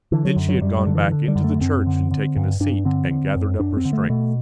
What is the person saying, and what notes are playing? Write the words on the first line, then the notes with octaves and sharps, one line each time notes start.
Then she had gone back into the church and taken a seat, and gathered up her strength.
D3 E3
F#3
F#2
F#3
F#2 G3
G3
D3
E3
D3
G3
F#2
A3
F#2 C4
D3
D3
G2
G2 D4
D3 C4
D3
F#2
F#2 D4
C4
D3
A3
B2 A3